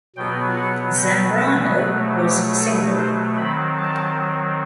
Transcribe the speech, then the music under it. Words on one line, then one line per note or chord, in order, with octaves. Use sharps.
Zambrano was single.
B2 F#3 B3 G5
F#5
G5
A5
B2 F#3 A3 B4
G4
A4
C5
D#3 F#3 C4 B5
A5